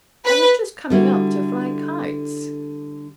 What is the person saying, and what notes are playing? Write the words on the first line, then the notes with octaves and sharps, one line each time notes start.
"I was just coming up to fly kites."
B4
D3 G3 E4 F#4